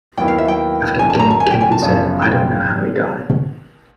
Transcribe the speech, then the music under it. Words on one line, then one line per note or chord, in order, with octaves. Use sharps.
After the game Kennedy said, I don't know how he got it.
D#2 D#3 F#3 B3 E4 G5
F5
E5
G5
G#1 F#2 D3 F#3 G#5
A5
A#5
A5
G#5
G5
G#5
A5
G1 F#2 C#3 F3
G5